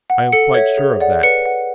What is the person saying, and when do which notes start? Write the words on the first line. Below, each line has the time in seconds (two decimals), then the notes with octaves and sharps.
I am quite sure of that.
0.10 F#5
0.32 A4 C#7
0.54 C#5 E5
0.78 G#4
1.01 D5 F#5
1.23 B4 C#7
1.46 F#5